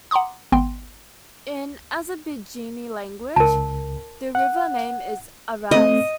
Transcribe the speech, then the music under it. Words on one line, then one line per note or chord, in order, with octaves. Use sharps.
In Azerbaijani language, the river name is "Araz".
F#5 A#5 C6 D6 D#6
G#1 B3 G5 C6
C#2 A#4 A5
F#5
A3 C4 D#5